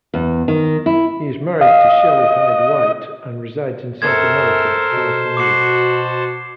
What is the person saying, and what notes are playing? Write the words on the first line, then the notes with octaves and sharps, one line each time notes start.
He is married to Shelly Hyde-White and resides in Santa Monica, California.
E2
D#3
E4
D#5 F5
F#2 A4 A#4 C5 A5 G#6
B2
F#4 D6 C7